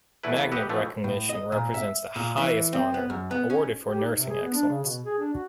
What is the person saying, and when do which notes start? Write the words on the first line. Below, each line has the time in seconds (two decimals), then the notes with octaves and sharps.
Magnet recognition represents the highest honor awarded for nursing excellence.
0.23 E2 A3 E4 B4
0.52 G4 B4 D#5 E5 F#5
0.69 B2 E3 F3 A3
1.04 A2
1.29 D#5
1.52 A#2
1.74 E5
2.16 A#2
2.38 E3
2.73 C4
2.94 B3
3.10 F#2
3.31 B3
3.50 C#4
3.88 G4
4.00 D#4
4.16 C3
4.29 G#4
4.42 B3
4.54 D4
4.68 C#3
4.84 B2
5.05 G#4
5.19 D4
5.34 F#4